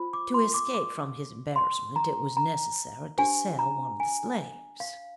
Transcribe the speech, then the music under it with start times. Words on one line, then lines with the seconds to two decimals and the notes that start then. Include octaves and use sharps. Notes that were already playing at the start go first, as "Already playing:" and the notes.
To escape from his embarrassment it was necessary to sell one of the slaves.
Already playing: F4 C5
0.13 D6
0.34 C6
0.54 D6
0.74 D6
1.56 C6
1.96 A#5
2.37 A#5
3.18 D4 G4 C5 G#5
3.59 A#5
4.00 G#5
4.80 F5